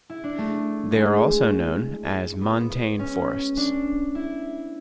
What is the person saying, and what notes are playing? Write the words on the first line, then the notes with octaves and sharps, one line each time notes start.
They are also known as montane forests.
E4
D4
A3
G#3
B3
C#4
D4
E4